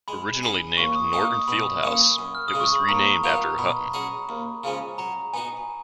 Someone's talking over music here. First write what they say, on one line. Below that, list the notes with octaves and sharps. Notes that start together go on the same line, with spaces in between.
Originally named Norton Field House, it was renamed after Hutton.
G#3 B5
C#4 G#4
D#2 C#6
D#6
D#3 A#3 D#4 D#6
D#6
B2 B5
A#3 C#4
F#2
F6
D#6
C#3 G#3
C#6
B5
D#2 A#5
D#3 F#3 B3 F4 A#5
B2 B5
F#3 C#4 G#4 D#5
D#2
C#3 F3 G#3 C#4
F#3 A#5
B3 D#4 F#4 G#5